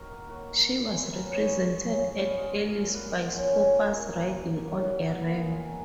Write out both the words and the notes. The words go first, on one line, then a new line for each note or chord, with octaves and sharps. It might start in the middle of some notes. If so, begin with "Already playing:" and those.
She was represented at Elis by Scopas riding on a ram.
Already playing: D#3 F#4 A#4
A#3
D#3 F#4
A#3
B3
G#3
D#3 A#4
B4
D#3 C#5
D#5
G#3
F3
C#3
C#3
B3 F5
G#3 D#5
A#2 F5
A#2
B3 F#5
F3
C#3 G#5
C#3
D#3
A#3
D#3
A#3
A#3
F#3
A#2 F#5
A#2
B3 F5
G#3
D#3 G#5